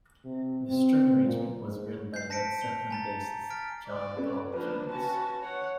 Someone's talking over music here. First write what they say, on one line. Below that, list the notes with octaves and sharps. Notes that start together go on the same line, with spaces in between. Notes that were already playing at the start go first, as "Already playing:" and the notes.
The string arrangement was written by Led Zeppelin bassist John Paul Jones.
C3
C4
A#2
G#2
G6 C7
A5 A#6 B6 C#7 D7
F7 G7
G#5 A#5 A6
F6 A6 B6 D7
D5
C#4 A4 B4
F3 A#3 D4 B4
C#4 F#4 A5
C#5 F#5